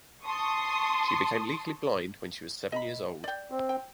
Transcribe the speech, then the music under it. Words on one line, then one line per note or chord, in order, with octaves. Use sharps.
She became legally blind when she was seven years old.
A5 C6 C#6 D#6
D#5 A#5 B5
D5 G5
C4
G5